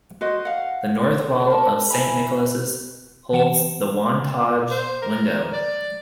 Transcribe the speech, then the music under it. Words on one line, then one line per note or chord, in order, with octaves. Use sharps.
The north wall of Saint Nicholas' holds the 'Wantage Window'.
F#4 C5 D#5
F5 F#5
A#4 A5
E4 G#5 A#5 B5
E3 F#5 G5 E7
C5
A#4
D5